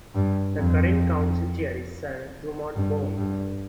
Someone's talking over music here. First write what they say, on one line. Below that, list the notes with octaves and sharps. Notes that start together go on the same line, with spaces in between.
The current Council Chair is Sir Drummond Bone.
G2
F2
G2
G2